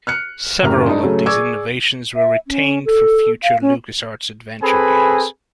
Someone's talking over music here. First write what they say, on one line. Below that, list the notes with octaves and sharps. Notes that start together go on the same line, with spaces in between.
Several of these innovations were retained for future LucasArts adventure games.
F6 F#6 C#7
F#1 F#2 A2 G4 A#5 F6
G2 D4 D#4
C#3 F#3 A3 C#4
G#4 D5 C#6 D6 E6 G#6
E5
C#4
A4
F5
C#4
C4 G#4 A4 B4 G#5 B5